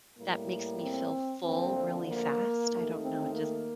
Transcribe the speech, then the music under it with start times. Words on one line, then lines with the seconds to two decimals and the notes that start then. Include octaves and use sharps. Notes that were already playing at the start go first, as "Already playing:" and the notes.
that makes me feel full really fast? I don't know, it just
0.18 A2 G3 A#3
0.81 C4
1.44 D2 D3 F3 A#3 C4
2.08 A#3
2.71 D#2 D#3 A3
3.02 C4
3.34 A#3